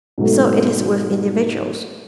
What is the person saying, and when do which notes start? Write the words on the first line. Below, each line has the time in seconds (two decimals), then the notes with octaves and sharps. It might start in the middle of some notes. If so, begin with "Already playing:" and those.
So it is with individuals.
0.18 G#2 B2 F#3 A3